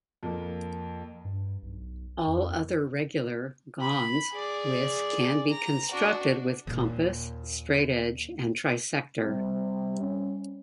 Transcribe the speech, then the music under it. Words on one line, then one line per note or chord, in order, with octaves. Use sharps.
All other regular -gons with can be constructed with compass, straightedge and trisector.
F2 A#3
G2
B1
F2
B5
G#4 D5
A#5
D4 F#4
D#2 A#2
C3 G3
C#4